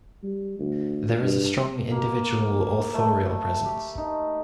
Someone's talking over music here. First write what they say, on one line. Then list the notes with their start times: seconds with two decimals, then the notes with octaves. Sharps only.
There is a strong individual, authorial presence.
0.23 G3
0.59 D2
1.21 G2
1.92 A#3
2.94 A3
3.65 G4
3.98 D#4